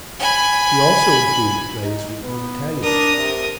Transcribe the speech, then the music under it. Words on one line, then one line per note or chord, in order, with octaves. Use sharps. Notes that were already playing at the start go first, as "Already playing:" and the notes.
He also included plays written in Italian.
G#5 B5
D#4
B3
D4 A#4 D#6
C3